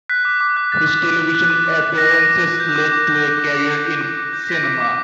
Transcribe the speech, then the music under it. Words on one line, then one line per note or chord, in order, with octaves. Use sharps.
His television appearances led to a career in cinema.
F#6 B6
D6
D6
F#6
F#6 A6
D6
D6
F#6
F#6
D6
D6
F#6
F#6 A#6
D6
D6
F#6
G6
D6
D6
G6
G6 A#6
D6
D6
G6
G6
D6
D6
G6
A#6
G6 B6
D6
D6